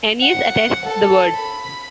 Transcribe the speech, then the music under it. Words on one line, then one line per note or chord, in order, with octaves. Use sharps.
Ennius attests the word.
F#5
A4
B5